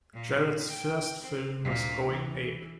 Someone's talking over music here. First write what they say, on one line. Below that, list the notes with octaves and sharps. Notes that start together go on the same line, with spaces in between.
Jarret's first film was Going Ape!
A#2
G5
C4
D2 A#2
E3